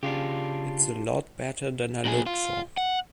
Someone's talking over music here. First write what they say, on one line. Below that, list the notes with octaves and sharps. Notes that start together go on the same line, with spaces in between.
It's a lot better than I looked for.
C#3 D4 F4 G4
A#2 G#4
F4
F#5